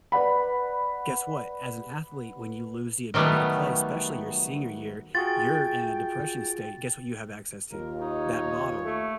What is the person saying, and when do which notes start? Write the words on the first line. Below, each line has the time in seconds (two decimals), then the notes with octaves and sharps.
Guess what? As an athlete, when you lose the ability to play, especially your senior year, you're in a depression state. Guess what you have access to? That bottle
0.12 B4 D5 F#5 B5
3.14 D#3 F#3 G3 A3 B3
5.15 F4 F#4 G#4 G5 A6
7.71 D#2 F4 A#4
8.01 D#4 C#5
8.84 A3